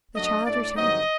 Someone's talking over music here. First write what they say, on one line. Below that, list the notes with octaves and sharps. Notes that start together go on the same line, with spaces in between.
The child returned.
F#2 F#3 A3 D4 D#5
A2 A3 D4 D5
G2 D3 F#3 C4 D#4 D#5